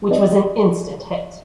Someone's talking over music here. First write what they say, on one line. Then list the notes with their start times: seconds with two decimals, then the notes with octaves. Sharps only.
Which was an Instant hit.
0.11 D5 D#5